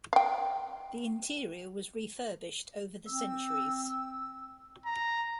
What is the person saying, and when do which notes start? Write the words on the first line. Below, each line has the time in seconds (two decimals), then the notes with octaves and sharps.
The interior was refurbished over the centuries.
0.13 F5 G5
3.06 C4 E6
4.86 A#5